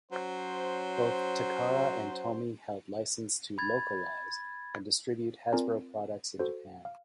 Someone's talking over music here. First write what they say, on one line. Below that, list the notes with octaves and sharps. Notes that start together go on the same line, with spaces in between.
Both Takara and Tomy held licenses to "localise" and distribute Hasbro products in Japan.
F#3 C#4 C5
B5 G#6 A6
C4 F4 A#4 D5 G#5 A#5
F#4 A4 C5
F5